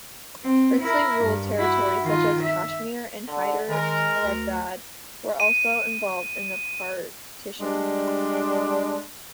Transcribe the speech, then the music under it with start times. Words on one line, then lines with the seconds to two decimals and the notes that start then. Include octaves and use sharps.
Princely-ruled territories, such as Kashmir and Hyderabad, were also involved in the Partition.
0.44 C4
0.81 E4 A#4
1.23 G2
1.58 E4 F#4
2.03 D#3 F4
2.42 E5
3.28 D3
3.69 D#3 G#3 A#4
4.24 D2
5.40 D#7
7.60 G3 G#3 D4